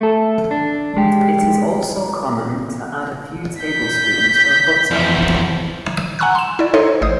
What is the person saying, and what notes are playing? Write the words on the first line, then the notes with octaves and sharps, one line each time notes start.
It is also common to add a few tablespoons of butter.
A3 A4
D4
G#3 G4
G6 B6
F2 E3
F#5 G#5 A#5 C#6 E6 F#6
C6 E7
E4 D5
D#4 A4 C5 C#5 D#5 C6
A1 C5 D#6